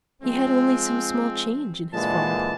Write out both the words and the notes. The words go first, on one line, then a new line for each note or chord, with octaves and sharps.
He had only some small change in his fob.
F3 G#3 C4
A#2 D3 E3 G#3 A5